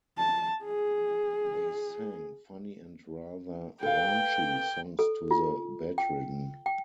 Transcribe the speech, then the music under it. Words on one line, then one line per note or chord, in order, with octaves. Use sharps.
They sang funny and rather raunchy songs to the bedridden.
A5
G#4
A4 B4 F5 G5
A4
F4
G5
G5